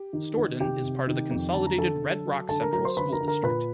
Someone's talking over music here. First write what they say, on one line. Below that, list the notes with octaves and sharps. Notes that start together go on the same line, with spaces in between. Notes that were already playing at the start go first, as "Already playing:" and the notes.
Storden is part of the consolidated Red Rock Central School District.
Already playing: G4
D#3
D#3
C3 G4 G5
C3
D#3
F2
D3 A5
A#5
D3 A4 A5
D3
F#3
D3 A4 A5
A#4 A#5
F#3 A#4 A#5
C5 C6
D3 B4 B5
A#4 A#5
D3
A#4 A#5
A#2 B4 B5